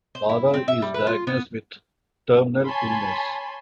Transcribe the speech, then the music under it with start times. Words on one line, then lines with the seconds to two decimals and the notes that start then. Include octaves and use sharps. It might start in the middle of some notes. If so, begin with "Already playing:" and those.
Laura is diagnosed with terminal illness.
0.15 C5
0.29 E4
0.54 C4
0.68 E5
0.82 G3
0.94 B4
1.07 F4
1.27 B3
2.64 C#5 G#5 A5 B5 C6